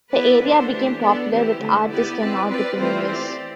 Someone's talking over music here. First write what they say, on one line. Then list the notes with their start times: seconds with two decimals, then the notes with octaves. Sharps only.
The area became popular with artists and entrepreneurs.
0.12 B3 E4 B4 D5
0.41 D3 A3 D4 A4 C5
0.70 E3 A3 D4 G4
1.00 B3 D4 A4 D5
1.30 E3 A3 C4 E4 G4
1.59 D3 A3 E4
1.89 B3 E4 G4 B4 D5
2.18 C4 E4 B4 D5
2.48 C4 F4 B4 D5
2.77 E3 A3 C4 F4 C5
3.06 C4 G4 D5